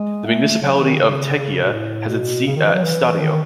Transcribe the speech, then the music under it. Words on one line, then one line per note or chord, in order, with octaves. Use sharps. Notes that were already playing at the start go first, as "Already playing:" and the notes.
The municipality of Tegea has its seat at Stadio.
Already playing: G#3
A3
F#3
D#3
C#3
C#3
B2
A2
B2
C#3
D#3
E3
F#3
E3
D#3